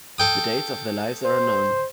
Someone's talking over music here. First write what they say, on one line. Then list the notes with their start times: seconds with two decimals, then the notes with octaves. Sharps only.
The dates of their lives are unknown.
0.18 A4 G5 D#6
1.24 C5